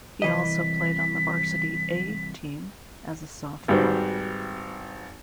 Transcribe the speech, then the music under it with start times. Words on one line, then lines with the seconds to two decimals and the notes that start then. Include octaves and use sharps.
He also played on the Varsity "A" team as a sophomore.
0.22 C2 E3 D#5 B6
3.68 G#1 G3 F#4 B4 C5